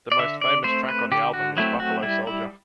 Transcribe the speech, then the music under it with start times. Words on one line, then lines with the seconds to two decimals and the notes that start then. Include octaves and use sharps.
The most famous track on the album is Buffalo Soldier.
0.12 D5
0.19 D3 E5
0.41 D5
0.64 A3 C4 C5
0.89 B4
1.12 D3 G4
1.34 F#4
1.57 F#3 A3 C4 E4
1.80 F#4
2.03 G3 E4
2.27 E4